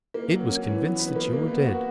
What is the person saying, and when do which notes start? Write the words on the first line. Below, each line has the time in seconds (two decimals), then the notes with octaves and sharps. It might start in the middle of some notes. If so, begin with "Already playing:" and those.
It was convinced that you were dead.
0.14 A#3
0.32 F#3
0.49 C#4
0.65 E3
0.82 B3
0.99 B4
1.16 A#3
1.33 A#3
1.49 B3
1.66 F#4